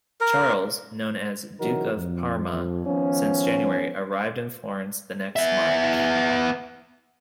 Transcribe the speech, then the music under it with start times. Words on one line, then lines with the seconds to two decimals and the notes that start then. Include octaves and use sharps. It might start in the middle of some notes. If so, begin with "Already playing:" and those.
Charles, known as Duke of Parma since January, arrived in Florence the next March.
0.21 A#4
1.59 C#3 E3 F#3 D#4 F#4 A#4
1.96 F2
2.86 D#3 F3 B3 C#4
5.36 B3 E5